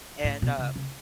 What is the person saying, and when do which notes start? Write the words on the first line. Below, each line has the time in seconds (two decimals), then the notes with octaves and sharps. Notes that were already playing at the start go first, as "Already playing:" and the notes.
and uh,
0.24 A2
0.42 B2
0.58 C#3
0.76 C#3